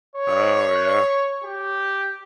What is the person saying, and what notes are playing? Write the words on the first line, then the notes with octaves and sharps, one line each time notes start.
Oh, yeah.
C#5
G4